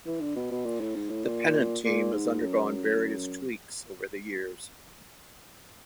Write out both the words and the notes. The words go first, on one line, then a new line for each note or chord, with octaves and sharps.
The pennant team has undergone various tweaks over the years.
E3
D3
B2
B2
A#2
A2
G#2
A2
A#2
A#2
G#2
F#2